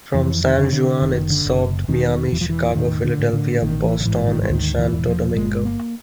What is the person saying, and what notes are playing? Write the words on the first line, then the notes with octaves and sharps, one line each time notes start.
From San Juan its served Miami, Chicago, Philadelphia, Boston and Santo Domingo.
F2 E3
D#3
D3
D3
F#1 D#3
D3
F#1
E1 D#3
E1 E3
F3
E3
A2 D#3
D3
A2
D3
A1 D#3
E3
D#3
G#2 E3
D#3
E3
D2 D#3
E3
E1
F3
G1 G#3
A#3